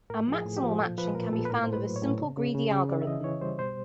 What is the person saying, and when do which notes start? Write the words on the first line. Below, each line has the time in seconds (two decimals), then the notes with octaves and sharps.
A maximal matching can be found with a simple greedy algorithm.
0.10 A2 A#4
0.28 F3
0.34 G#4
0.45 A2
0.57 G4
0.63 F3
0.80 A#2 A4
0.98 F3 B4
1.15 A#2 A#4
1.32 A#2 A4
1.45 B4
1.50 A2 A#4
1.64 A2 C5
1.73 B4
1.85 F#3
1.96 C#5
2.02 A2
2.19 C#3
2.37 C#3
2.54 C#3
2.71 C#3
2.89 E3 D5
3.02 E5
3.07 E3 D#5
3.24 E3 C#5
3.41 G3 C5
3.59 B2 C5